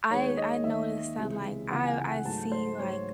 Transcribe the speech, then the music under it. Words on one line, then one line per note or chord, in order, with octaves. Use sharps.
I I noticed that, like I I see, like,
D#2 D#3 G#3 C#5
D#5
D#2 D#3 G#3 E5
C#2 C3 E3 G#3
C#2 C3 E3 G#3 F#5
G#5
F#5
G#2 F#3 A3 A5
C5
G#2 F#3 A3 C#5